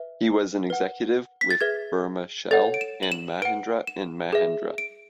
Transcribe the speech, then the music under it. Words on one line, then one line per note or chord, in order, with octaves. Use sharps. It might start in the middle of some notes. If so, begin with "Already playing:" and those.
He was an executive with Burmah Shell and Mahindra and Mahindra.
Already playing: B4 E5
B4 F#5
B6
A6
G#4 B4 E5 G#6
A4 C#5 F#5 A6
D7
E7
F#7
E7
B4 F#5 D7
E7
G#4 B4 E5
D7